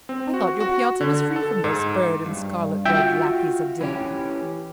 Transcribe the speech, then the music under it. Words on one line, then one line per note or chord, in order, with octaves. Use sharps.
I thought your piazza was free from those furred and scarlet-robed lackeys of death.
C4
F#4
F#4
D3
A4
G#2
G2
F4 F#4 E5 G5
E3 C#4 G4